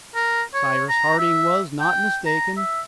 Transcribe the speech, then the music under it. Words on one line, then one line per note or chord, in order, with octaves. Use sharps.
Cyrus Harding was not mistaken.
A#4
C#5
A#5
E5
G5
A#5
E5